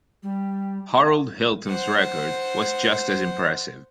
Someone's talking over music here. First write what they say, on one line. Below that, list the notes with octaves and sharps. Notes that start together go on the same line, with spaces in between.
Harold Hilton's record was just as impressive.
G3
C5 F#5